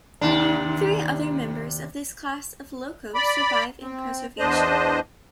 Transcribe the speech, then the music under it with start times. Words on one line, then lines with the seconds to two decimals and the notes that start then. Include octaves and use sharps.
Three other members of this class of loco survive in preservation.
0.21 D#2 C3 D4
3.15 D5 B5
3.82 C4
4.39 E2 D4 C5 D#5